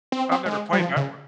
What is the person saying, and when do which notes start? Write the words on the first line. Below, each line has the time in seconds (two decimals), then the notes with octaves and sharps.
I've never played that one.
0.12 C4
0.31 C4
0.46 G#3
0.73 G3
0.79 F3
0.96 C#3